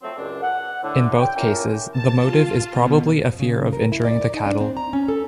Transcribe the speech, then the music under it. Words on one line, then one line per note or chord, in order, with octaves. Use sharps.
In both cases, the motive is probably a fear of injuring the cattle.
F3 F#3 A3 C4
C#2 F#2 D4
F#5
A2 D3
G5
A#3 C#4 E4 F4 G4 A#4
A5
F4
B2
F2
C#3
A#4
E4
D5
D#4
D4
C4
A#5
C#4
A4